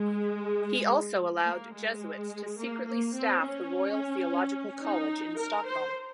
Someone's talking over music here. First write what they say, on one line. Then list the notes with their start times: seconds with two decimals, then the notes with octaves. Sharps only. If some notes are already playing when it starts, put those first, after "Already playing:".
He also allowed Jesuits to secretly staff the Royal Theological College in Stockholm.
Already playing: G#3
1.46 A#3
1.74 G#3
2.58 A#3
2.86 A#3
3.15 C4
3.42 C#4
4.82 D#4
5.38 A#4
5.66 C5